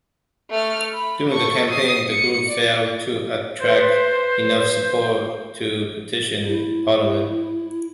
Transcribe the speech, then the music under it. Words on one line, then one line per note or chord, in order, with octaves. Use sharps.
During the campaign, the group failed to attract enough support to petition parliament.
A3 F6
B5
A4 C#6
D#6 C7
C#7
D5
B4 C5
E4